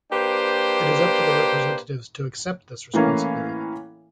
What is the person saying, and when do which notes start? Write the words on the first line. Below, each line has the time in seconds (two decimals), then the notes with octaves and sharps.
It is up to the Representatives to accept this responsibility.
0.12 A#3 D4 G4 B4 C5 G5
2.94 A2 E3 A#3 C#4 F5